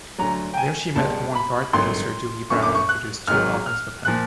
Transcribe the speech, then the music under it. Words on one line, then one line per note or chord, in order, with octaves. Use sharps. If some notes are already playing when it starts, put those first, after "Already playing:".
There she met avant-garde producer Dougie Bowne and produced two albums with him.
D2 D3 F#3 A#5
G5
G#5
C#2 B2 G3 A5
B5
G#1 G2 D3 F#3 C6
F#1 F#2 D3 C#6
D6
C#6
F#6
G#1 G#2 D#3 F#3 F6
F6
A#2 F3 F#6